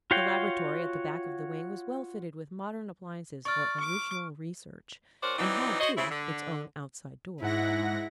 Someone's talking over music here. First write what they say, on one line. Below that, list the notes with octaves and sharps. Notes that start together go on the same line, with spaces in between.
The laboratory, at the back of the wing, was well fitted with modern appliances for original research, and had, too, its own outside door.
F4 F#4 C#5 F5 G5
D5 C#6 F6
D6
C#4 F#4 A#4 C5 D5
E3 F#3 C4 D4 D#4
F#4 C5 C#5 D#5
C#3 C4 E4
D3
G#2 E4 F#5 A#6